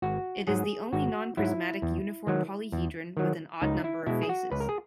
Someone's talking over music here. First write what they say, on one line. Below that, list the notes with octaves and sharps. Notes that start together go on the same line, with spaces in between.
It is the only non-prismatic uniform polyhedron with an odd number of faces.
G#1 F#4
G#2 F#3 G#4
G#1 F#4
G#2 F#3 E4
E2
D#3 F#3
E2
D#3 F#3
C#2 D#4
E4
B2 G#3 E4
G#4
F#4
C#2 B4
A#4
G#4